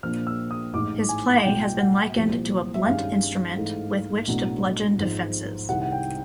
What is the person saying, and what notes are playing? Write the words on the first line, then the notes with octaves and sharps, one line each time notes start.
His play has been likened to "a blunt instrument with which to bludgeon defences".
A#1 A#2 F3 A#3 D4 F6
E6
D#6
A1 G#2 E3 D6
G#5
F#5
B1 A2 F#3 B3 G5
F#5
C2 A#2 F3
E5
G2 D#3 G#3 C#4 F5
G#2 E3 A3
B1 A2 F#3 B3 D4
G#1 G#2 F3
C2 C3 D#3 F#5
F#5
G5